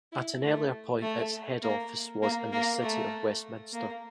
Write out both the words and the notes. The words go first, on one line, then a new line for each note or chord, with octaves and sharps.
At an earlier point its head office was in the City of Westminster.
E4
A3
A3
A#3
A#3
A#3
A3
A#3